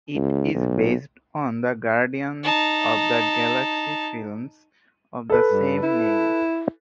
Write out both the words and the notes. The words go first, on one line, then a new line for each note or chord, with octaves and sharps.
It is based on the Guardians of the Galaxy films of the same name.
C#2
B1
D#4 A5
A4 B4
G2
E4